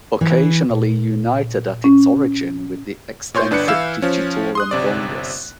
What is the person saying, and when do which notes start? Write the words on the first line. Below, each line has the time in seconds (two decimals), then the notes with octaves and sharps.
Occasionally united at its origin with the Extensor digitorum longus.
0.21 E3
0.70 A#2
1.84 C#4
3.34 A#2 C#5 C6 G6
3.51 G1 D4 B4 F#6 C#7
3.67 E3 E4 F5 E6 E7
4.02 F3 C#4
4.55 C6 D#6 F#6
4.71 G1 C3 D5